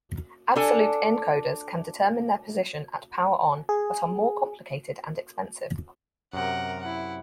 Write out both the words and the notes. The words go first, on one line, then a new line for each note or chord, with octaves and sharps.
Absolute encoders can determine their position at power-on, but are more complicated and expensive.
D4 A4 G#5
G#4
F#2 C3 A#4 F#5
E4 F#5